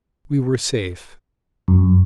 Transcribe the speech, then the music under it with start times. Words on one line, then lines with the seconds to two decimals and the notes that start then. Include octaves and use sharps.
We were safe.
1.68 F#2